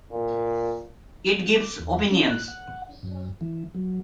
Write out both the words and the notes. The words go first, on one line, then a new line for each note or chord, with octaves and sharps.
It gives opinions.
A#2
D6
E2
C#4
F#6
F#5
F#2
E3
F#3